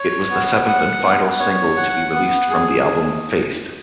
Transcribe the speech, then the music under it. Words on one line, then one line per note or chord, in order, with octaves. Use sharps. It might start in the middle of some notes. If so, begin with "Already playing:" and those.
It was the seventh and final single to be released from the album "Faith".
Already playing: C#5
B3
F#5
B3
C#5
F#5
B3
G#4